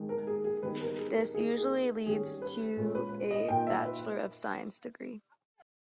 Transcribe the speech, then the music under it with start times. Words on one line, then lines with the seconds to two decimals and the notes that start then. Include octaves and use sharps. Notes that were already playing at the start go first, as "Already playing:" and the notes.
This usually leads to a Bachelor of Science degree.
Already playing: D#3 G#3 D#4
0.09 A#4
0.27 G#4
0.44 G#4
0.63 D#3 G3 B3 D#4 B4
0.81 A#4
0.98 G#4
1.16 A#4
1.34 D#3 A#3 D#4 G#4
1.58 G#4
2.06 D#3 G3 C#4 G#4
2.42 B4
2.77 A#2 G#3 C#4
2.95 B4
3.31 D#5
3.48 A#2 A#3 D#4 G5
3.67 E5
3.85 B4